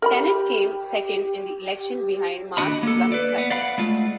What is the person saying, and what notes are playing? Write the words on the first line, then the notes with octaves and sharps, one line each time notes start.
Tennet came second in the election behind Mark Blumsky.
G4 A#4 G5 B5
D#2 F#3 D4 F#4 D#5 B5
A#3 A4
B4 D5
B3
D5 F5 F#5 B5
G#3 A3 F4